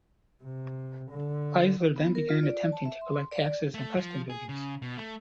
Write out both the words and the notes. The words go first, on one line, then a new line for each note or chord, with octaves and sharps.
Leisler then began attempting to collect taxes and customs duties.
C3
D3
B3
A#4
F4
D5
A5
E5
C6
D5
A3
F3
G#4
C#3
B2
A3